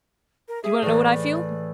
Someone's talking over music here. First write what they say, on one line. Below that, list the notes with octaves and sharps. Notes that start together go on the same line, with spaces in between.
Do you want to know what I feel?
A#4
G#4 E5
A2 E3 D5